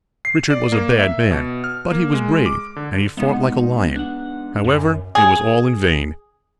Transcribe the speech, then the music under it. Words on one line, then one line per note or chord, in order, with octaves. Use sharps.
Richard was a bad man, but he was brave, and he fought like a lion. However, it was all in vain.
C7
D5
A#3
E5
B2
F6
A#3
G#3
D6
D3
G#2 B3 D#4
D4 F#5
F#2
G#4